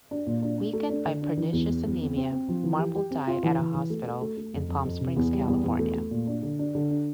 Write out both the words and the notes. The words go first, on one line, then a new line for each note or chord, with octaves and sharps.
Weakened by pernicious anaemia, Marble died at a hospital in Palm Springs, California.
D4
A#2
D4
D4
A3
D4
D3
D4
E3
E2
E2
E2
C4
C4
C4
F3
E3
G4
G4
C4
F4
E3
E3
E3
A3
A3
A3
A3
F2
F2
F2
C3
E2
G3
E2
E2
A3
A3
A#2
D4
D3
D4
D3
D4